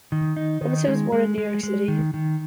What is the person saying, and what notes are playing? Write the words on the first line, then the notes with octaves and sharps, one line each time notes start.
Robinson was born in New York City.
D#3
D#4
D#3
G#3
G#3
G#3
G#3
D#3
D#3